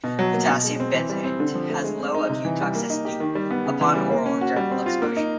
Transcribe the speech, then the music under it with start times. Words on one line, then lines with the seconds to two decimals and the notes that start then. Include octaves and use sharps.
Potassium benzoate has low acute toxicity upon oral and dermal exposure.
0.04 B2
0.19 F#3
0.34 A#3
0.49 B2
0.64 G#3
0.80 C4
0.94 E3
1.10 G3
1.24 C4
1.40 D3
1.55 F3
1.70 A3
1.84 G#3
2.00 C4
2.14 D#4
2.29 C3
2.45 E3
2.61 G3
2.75 A#3
2.90 D#4
3.05 G4
3.20 D#3
3.35 G3
3.51 B3
3.66 C#3
3.81 E3
3.95 G3
4.11 A#3
4.26 C#4
4.41 F#4
4.56 G3
4.71 C4
4.86 F4
5.02 A#3
5.17 D#4